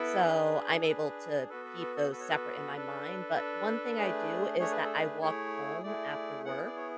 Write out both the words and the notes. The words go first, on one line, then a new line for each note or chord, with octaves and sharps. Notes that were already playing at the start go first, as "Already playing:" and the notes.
so I'm able to keep those separate in my mind, but one thing I do is that I walk home after work,
Already playing: B3 E4 A4 B4
D4 G#4
A4
D4 G#4 B4
B3 F#4 A4 B4
B4
B4
A4
B3 F#4 A4 B4
C#5
B4
D4 A4
D4 A4
A3 D4 G#4
A3 D4 G#4 C#5
B4
A4
B4
A3 E4 G#4 C#5
A3 E4 G#4 D5
B3 E4 G#4 F#5
D5
C#5